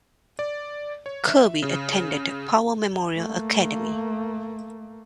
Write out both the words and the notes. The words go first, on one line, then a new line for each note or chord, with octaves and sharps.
Kirby attended Power Memorial Academy.
D5
C#5
E5
C#3
A3 A#3